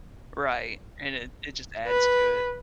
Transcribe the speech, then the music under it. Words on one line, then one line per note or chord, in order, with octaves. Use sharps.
Right, and it it just adds to it.
B4